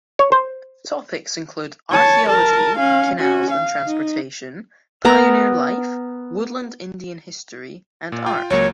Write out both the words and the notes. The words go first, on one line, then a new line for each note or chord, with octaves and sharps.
Topics include archaeology, canals and transportation, pioneer life, Woodland Indian history, and art.
C#5
C5
C#5 A5
A#4 A5
C#4 F5
C#4 F#4
F5
D#4
B3 A#4 A#5
A#2
F4 G5
C#2 F#3 A#3 C#5